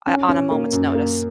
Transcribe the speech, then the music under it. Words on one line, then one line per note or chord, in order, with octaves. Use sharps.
uh, on a moment's notice.
C#4
C#4
A#3
F#2
A#3